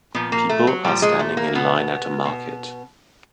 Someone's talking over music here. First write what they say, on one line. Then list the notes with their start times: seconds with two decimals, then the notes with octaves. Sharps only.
People are standing in line at a market.
0.15 A#2 F3 B3
0.32 A#3
0.49 A3
0.67 F#3
0.85 A#2 F3 G3
1.02 G#3
1.20 A3
1.37 A#3
1.55 B2 B3
2.25 B2